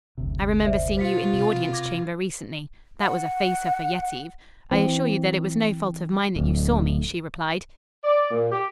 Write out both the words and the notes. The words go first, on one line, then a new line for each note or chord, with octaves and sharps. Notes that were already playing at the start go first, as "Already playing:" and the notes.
'I remember seeing you in the audience chamber recently.' That was a facer for Yetive. 'I assure you that it was no fault of mine that you saw me,' she replied.
F#1 D2 C3
C5 D5 E5
B2 F4 C5 B6 C#7
C3
D6 G#6 A#6
F#5
E3 C4
D1 D2
D5
A#2
G4